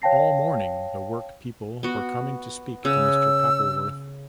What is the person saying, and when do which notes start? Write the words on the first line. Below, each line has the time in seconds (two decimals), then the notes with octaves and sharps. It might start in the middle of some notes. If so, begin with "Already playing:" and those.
All morning the work-people were coming to speak to Mr. Pappleworth.
0.02 C#5 F5 G5 A5 A#6 C7
1.83 B3 F#4
2.85 C#3 E6